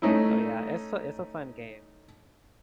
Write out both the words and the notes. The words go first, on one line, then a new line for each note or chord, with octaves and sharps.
So, yeah, it's a it's a fun game.
A3 C#4 D#4 E4